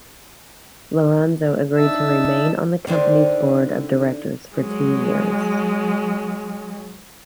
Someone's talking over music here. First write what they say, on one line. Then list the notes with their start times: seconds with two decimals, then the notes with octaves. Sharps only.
Lorenzo agreed to remain on the company's Board of Directors for two years.
1.76 D4 D#4 E5 A5 E6
2.87 D3 D#3 C5
4.57 F#3 G#3